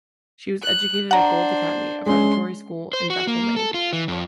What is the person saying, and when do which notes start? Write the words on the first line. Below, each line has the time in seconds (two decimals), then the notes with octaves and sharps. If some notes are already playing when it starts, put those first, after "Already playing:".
She was educated at Gould Academy, a preparatory school in Bethel, Maine.
0.63 F#6
1.11 D4 C5 F#5 A#5
2.06 G#3 C#4 C6
2.93 C5
3.10 F#4
3.27 A#3
3.56 A4
3.74 F4
3.93 E3
4.08 F2